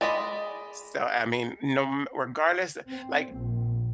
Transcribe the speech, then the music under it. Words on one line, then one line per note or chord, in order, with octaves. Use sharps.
So, I mean, you kno m regardless, like,
G#3 D5 D#5 B5
C4
A#1